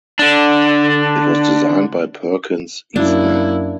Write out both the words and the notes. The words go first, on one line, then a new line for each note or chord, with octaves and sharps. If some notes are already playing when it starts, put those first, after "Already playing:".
It was designed by Perkins Eastman.
D3 D4
F#2 A#3 D4 E4